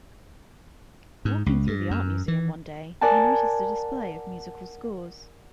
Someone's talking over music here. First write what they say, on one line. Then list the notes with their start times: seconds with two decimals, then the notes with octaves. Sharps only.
Walking through the art museum one day, he noticed a display of musical scores.
1.25 G#2
1.46 C#2
1.67 G2
1.91 F#2
2.28 E3
3.01 A#4 D5 F#5 G#5 A5